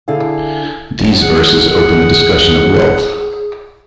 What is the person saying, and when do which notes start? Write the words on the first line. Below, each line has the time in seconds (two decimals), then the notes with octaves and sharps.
These verses open the discussion of wealth.
0.08 D3 E4 G#4 F5
1.21 G#4 F#5